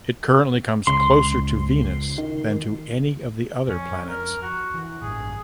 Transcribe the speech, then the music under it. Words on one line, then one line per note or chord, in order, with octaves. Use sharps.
It currently comes closer to Venus than to any of the other planets.
C#2 C6
D#3
F2 C#4
A#4
F#4
E3
A1 G2 G#4